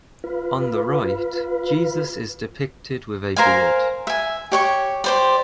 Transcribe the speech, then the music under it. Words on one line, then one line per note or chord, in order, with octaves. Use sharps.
On the right, Jesus is depicted with a beard.
F4 B4
A#4 C5 F5 G#5
E5 G#5
G4 C#5 C#6
G4 C5 D5